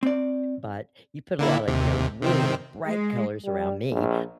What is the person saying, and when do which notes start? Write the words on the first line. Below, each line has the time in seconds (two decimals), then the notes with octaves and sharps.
but you put a lot of, you know, really bright colors around me,
0.03 C4 D5
1.39 D3 A#3 E4
1.68 D#2 C3
2.22 C3 D#3 C4
2.86 G#3
3.44 G3
3.91 A#1